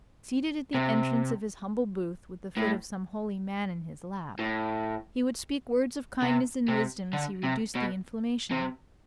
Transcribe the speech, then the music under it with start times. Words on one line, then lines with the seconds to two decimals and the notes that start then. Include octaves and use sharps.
Seated at the entrance of his humble booth, with the foot of some holy man in his lap, he would speak words of kindness and wisdom as he reduced the inflammation.
0.75 C3
2.57 A2
4.39 A2
6.22 C3
6.68 C3
7.13 D3
7.44 C3
7.75 B2
8.51 C3